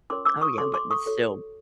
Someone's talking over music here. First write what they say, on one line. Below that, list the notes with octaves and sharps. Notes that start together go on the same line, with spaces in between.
Oh, yeah, but it's still
C#4 F4 A#4 C#5 C6 D6
D6 E6
C#6 D#6
F#4 A4 C#5 C6 D6
C6 D6
C#6 D#6
F#4 A4 C#5